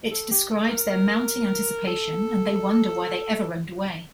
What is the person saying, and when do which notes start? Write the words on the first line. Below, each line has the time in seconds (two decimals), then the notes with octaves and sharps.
It describes their mounting anticipation and they wonder why they ever roamed away.
0.11 A4
0.31 G4
0.50 A4
0.70 A#4
0.90 A#4
1.87 A4